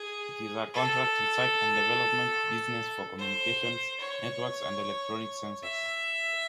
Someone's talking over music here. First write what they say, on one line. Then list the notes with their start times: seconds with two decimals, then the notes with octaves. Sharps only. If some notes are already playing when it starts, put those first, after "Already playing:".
It is a contract research and development business for communications, networks, and electronic sensors.
Already playing: G#4
0.75 A4
3.19 C5
4.00 C#5
5.63 E5